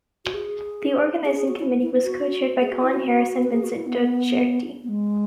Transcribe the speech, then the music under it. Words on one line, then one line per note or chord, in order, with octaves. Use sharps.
The organising committee was co-chaired by Colin Harris and Vincent Docherty.
F#4
G#4
G#4
G#4
F#4
E4
E4
F#4
G#4
F#4
E4
F#4
B4
G#4
F#4
E4
B3
B3
G#3